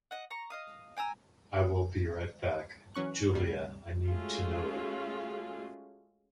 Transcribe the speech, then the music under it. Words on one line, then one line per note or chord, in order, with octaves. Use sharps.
I will be right back. Julia, I need to know it.
D#5 F#5
A#5 C#6
D#5 F5 D#6
G5 G#5 A#5 E6
E3 F#3 C#4 C#6 F#6
D2 G2 C3 G3 C7
G#3 A3 C#4 F4 F#4 G#4